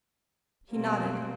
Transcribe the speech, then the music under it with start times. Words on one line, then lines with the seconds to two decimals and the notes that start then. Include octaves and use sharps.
He nodded.
0.72 B2 G3 A#3 C4